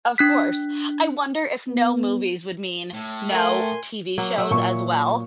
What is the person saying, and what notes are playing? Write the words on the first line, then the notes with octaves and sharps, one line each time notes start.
Of course. I wonder if no movies would mean no TV shows as well.
D4 F#6 B6
B3
A2
A3 A#4 G#5 C6
F#3 A#3
F#3 E5
A#2 C#6